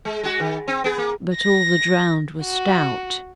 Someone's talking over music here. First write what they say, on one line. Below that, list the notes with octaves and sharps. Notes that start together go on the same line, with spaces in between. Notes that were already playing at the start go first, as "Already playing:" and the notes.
But all the drowned were stout.
G#3
G#3 F#4
D#3
C4
B3 G#4
A#3
A#6
F#4